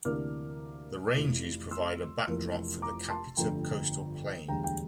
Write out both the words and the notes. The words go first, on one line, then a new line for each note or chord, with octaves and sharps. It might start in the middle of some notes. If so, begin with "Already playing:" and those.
The ranges provide a back-drop for the Kapiti coastal plain.
D2 C3 E3 A#3 D4 D6 F6
F1 F2 E3
C6 E6
F1 F2 E3 A#3
A#5 D6
A5 C6
G1 F2 D3 A3 G5 A#5
E1 D2 D3 G3 G5 A#5
G5